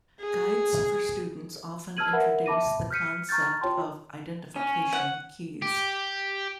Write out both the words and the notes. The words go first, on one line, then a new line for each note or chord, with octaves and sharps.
Guides for students often introduce the concept of identification keys.
G#4
A5 E6 F6 G#6 D#7 F#7
A#4 B4 E5 F#5 B5
E5 A5 B5 D6 A#6 D#7
F6 G6 B6 C#7 D#7
A#5 C#6 F6 G6 A6
F4 C#5 G5 A5 C6
C#4
F#5
G4